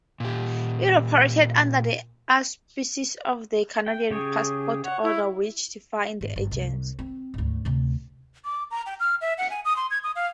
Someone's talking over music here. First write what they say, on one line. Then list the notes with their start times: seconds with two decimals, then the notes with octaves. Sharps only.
It operated under the auspices of the "Canadian Passport Order" which defined the agency.
0.20 A#2 G4
3.86 G5
4.10 C#3 G4 G#4 C#5
4.84 C#5 F#5
5.03 E4
6.21 G#1
6.36 G1
6.51 C2
6.99 C4
7.34 D2 G#2
7.65 D2 C3
8.45 D6
8.71 A#5
8.86 G5
9.00 F6
9.21 E5
9.38 F#5
9.50 G#5
9.65 D#6
9.76 C6
9.91 G#6
10.04 D#6
10.16 F5